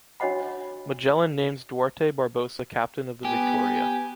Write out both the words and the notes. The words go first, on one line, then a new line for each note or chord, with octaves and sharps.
Magellan names Duarte Barbosa captain of the “Victoria”.
D4 F#4 C#5 D#5 F#5 B5
B3 G4 G#5